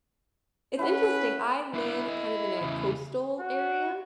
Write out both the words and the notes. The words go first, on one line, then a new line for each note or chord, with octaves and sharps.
It's interesting, I live kind of in a coastal area,
C#4 E4 B4 F#5
B3 D4 E4
A4 D#5
E2 C#3
F#4